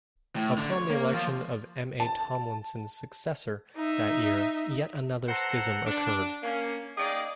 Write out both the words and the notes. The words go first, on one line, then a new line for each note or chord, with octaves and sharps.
Upon the election of M. A. Tomlinson's successor that year, yet another schism occurred.
A2
D3
C#5
A#3
F3
A5
D#4 E5
A4 B4 C5 F#5 A#5
D4
A#3 C#4
A#3 D#4 G#4 D5 D#5 G5